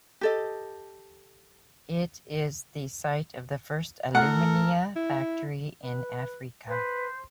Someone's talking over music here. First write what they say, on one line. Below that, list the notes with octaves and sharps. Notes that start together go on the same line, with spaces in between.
It is the site of the first alumina factory in Africa.
G4 A4 D#5
A2 A3 A4 A#4 F#5
E4
B4
B4 C5